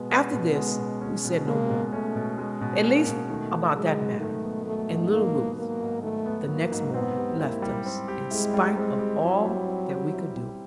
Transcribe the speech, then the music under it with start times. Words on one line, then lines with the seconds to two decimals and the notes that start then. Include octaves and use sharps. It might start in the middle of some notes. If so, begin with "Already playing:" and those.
After this, we said no more, at least about that matter; and little Ruth, the next morning, left us, in spite of all that we could do.
Already playing: B2 G#3 B3
0.10 C#4
0.33 B2
0.55 G#3
0.79 B2
1.01 C#4
1.24 B2
1.47 G#3 A#3
1.70 B2
1.93 A3 C#4
2.15 B2
2.38 G#3
2.61 B2
2.84 A#3 C#4
3.07 B2
3.30 D#3 A3
3.52 B3
3.75 F#3 G#3
3.98 G#2
4.20 D#3 A3
4.44 B3
4.66 F#3 A3
4.89 G#2
5.12 D#3 A#3
5.35 B3
5.58 F#3 A#3
5.80 G#2
6.02 D#3 A3
6.26 B3
6.48 F#3 A#3
6.71 G#2
6.94 B3 C4
7.17 G4
7.40 A#3 E4
7.62 G3
7.86 C4
8.08 G4
8.31 G#3 E4
8.54 G3
8.77 G#3 C4
8.99 G4
9.22 F#3 E4
9.46 G3
9.68 C4
9.90 G4
10.13 E4
10.36 G3